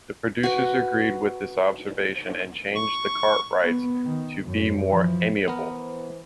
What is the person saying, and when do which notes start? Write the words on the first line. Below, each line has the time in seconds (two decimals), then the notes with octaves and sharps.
The producers agreed with this observation and changed the Cartwrights to be more amiable.
0.43 F#4 B4
2.75 C#6
3.65 B3
4.03 D#3
4.45 F#2
4.89 E3 F3
5.48 E3 B3 A#4 C5